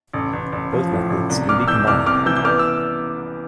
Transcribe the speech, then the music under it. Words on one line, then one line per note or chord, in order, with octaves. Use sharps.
Both methods can be combined.
A1
A1
A1
F3
A2
A1
C2
C2 D6 F6
E3 E6 G6
C2 D6 F6
C3 D6 F6
E3 E6 G6
G6
B3 D6 F6
E6